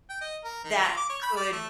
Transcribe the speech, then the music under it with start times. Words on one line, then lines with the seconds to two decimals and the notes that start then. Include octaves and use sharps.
that could
0.10 G5
0.21 D#5
0.44 A#4
0.64 D#3
0.84 F4
0.97 D6
1.10 C#5
1.23 B5
1.37 D5
1.52 A3